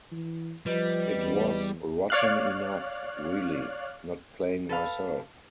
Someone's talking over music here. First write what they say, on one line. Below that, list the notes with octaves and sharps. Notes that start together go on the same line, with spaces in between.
It was rotten enough, really, not playing myself.
E3
F3 G3 B4 D#5
E2
C#5 D5 F5 F6 F#6
A4 B4 F5